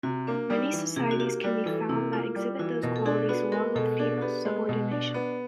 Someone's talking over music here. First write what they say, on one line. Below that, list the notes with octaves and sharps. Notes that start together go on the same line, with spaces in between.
Many societies can be found that exhibit those qualities along with female subordination.
C3 F#4
A#3 D4
G3 D#4
E3
C3 G#4
F#4
A#3 G4
G3 F#4
E3 A4
C3 E4
A#3 F4
G3 F4
E3 F#4
B2 A#4
A4
D4 G#4
B3 F#4
G#3 A#4
B2 A4
D4 G#4
B3 G4
G#3
B2
D4
B3